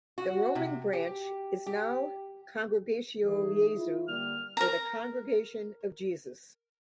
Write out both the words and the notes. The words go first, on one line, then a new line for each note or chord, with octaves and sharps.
The Roman Branch is now Congregatio Jesu or the Congregation of Jesus.
F#4
C3
G4
G4
D#3 E3 G#4
E4 F4
D3 G3 A#3 F6
A#4 A#5